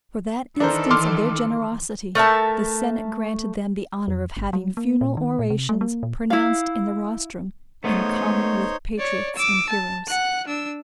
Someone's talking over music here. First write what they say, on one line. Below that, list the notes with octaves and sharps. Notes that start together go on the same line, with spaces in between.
For that instance of their generosity, the senate granted them the honor of having funeral orations pronounced in the rostrum, in common with patriots and heroes.
D#3 E3 D4 A4 A#4 C5
C6 D6 F6
A3 A#4 E5 A5
F2
G1
F#3
A#3
A#2
D#3
A#2
C3
A3
A#3
A#2
E4 F5
A3 B3 D#4 C5 C#5
C#5 D5
D6 E6
A5
F#5 F#6
D4 E6